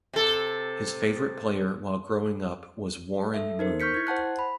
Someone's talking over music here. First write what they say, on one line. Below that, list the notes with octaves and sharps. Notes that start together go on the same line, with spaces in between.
His favorite player while growing up was Warren Moon.
C3 A4
A4 E5
D#4 A#4 C5
C#6 F6 G6 B6 C#7
E4 G#6
C5 F#5 A5 F#6
B5